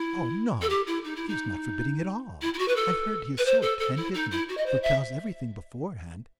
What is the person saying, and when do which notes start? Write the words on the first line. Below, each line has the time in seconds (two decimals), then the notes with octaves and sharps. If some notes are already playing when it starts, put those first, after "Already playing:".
"Oh, no, he is not forbidding at all; I've heard he is so attentive and foretells everything beforehand."
Already playing: E4
0.61 A4
0.69 G4
0.87 E4
1.04 D#4
1.16 E4
1.28 D#4
2.41 E4
2.54 E4
2.58 F#4
2.68 B4
2.76 A4
3.38 B4
3.45 C5
3.62 A4
3.79 A4
3.96 E4
4.14 D#4
4.31 E4
4.48 F#4
4.57 D#5
4.66 C5
4.83 E5